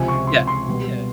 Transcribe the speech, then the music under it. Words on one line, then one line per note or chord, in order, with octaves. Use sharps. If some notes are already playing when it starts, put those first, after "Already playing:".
Yeah, yeah.
Already playing: C#2 C3 F3 G#5
C#6
C6
C6
B2 G3 B3